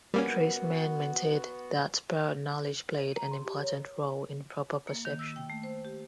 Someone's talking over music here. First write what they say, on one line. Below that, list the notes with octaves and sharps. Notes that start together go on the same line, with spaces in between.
Treisman maintained that prior-knowledge played an important role in proper perception.
G3 A#3 B3 C#4 F#4 A#4
D#7
A#5
C6
G4
C#5
A#3
D#3
E6
G5
A3
C5
G4